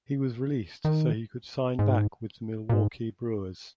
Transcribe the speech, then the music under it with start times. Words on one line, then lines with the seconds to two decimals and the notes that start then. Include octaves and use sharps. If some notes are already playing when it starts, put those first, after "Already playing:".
He was released so he could sign back with the Milwaukee Brewers.
0.85 D#3
1.79 G#2
2.69 A#2
2.73 G#2